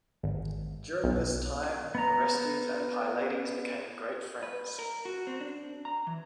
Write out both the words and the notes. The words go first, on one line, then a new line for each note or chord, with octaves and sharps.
During this time, Orestes and Pylades became great friends.
G#1
B1
B3 A#5
B4
A#4
F#4
C4
D4
A#5
E3